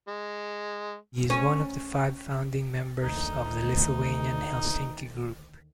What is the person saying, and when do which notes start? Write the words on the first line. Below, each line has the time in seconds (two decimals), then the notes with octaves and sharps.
He is one of the five founding members of the Lithuanian Helsinki Group.
0.08 G#3
1.30 C#4
3.02 D2 D#3 D#4